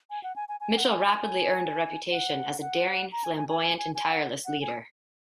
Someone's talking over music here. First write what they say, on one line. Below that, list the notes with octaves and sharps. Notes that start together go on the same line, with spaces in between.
Mitchell rapidly earned a reputation as a daring, flamboyant, and tireless leader.
G#5
F#5
G#5
G#5
G#5
F#5
G#5
F#5
F#5
A#5
G#5
G#5
G#5
G#5
G#5
G#5
F#5
F#5
G#5